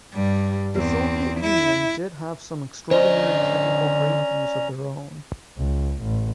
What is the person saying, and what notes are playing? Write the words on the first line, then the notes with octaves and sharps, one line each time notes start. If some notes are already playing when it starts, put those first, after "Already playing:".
The Soviet Union did have some extraordinary technical breakthroughs of their own.
G2 G3
E2 C4
E4
D3 C#4 C5 D5 D#5 A#5
C#2
A1